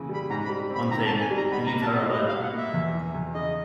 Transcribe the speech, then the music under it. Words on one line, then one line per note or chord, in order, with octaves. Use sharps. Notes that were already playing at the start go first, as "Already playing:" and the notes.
One thing: you leave her alone.
Already playing: C#3 E3 A#3
G3 B5
G#2 A#5
B5
G3
C4 B5
D#3 A#5
A5
G#2
G#5
G3
A#5
B2 B5
A#5
A#3
A5
B2
D#5
G3 D#5
F5
B2
F#5
A#3 E5
E2
E3
E2
C#3 D#5